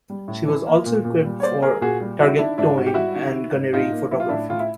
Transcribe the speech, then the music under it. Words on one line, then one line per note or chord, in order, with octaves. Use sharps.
She was also equipped for target towing and gunnery photography.
G3
A2
E3
A#3
A#2
A#2
G3
C#5
A#3 C5 D5
A#3 G#4 A#4
A#2 F#4 G#4
G3
D#3 E4 F#4
D#3 D4 E4
G#2 D4 E4
G#2 F#4
G4
G3 E4 F#4
D#3
D#3
G#2
A2 D#4 F4
A#3
F#3 E4
F4
A2 D4 E4
A2 F4
E4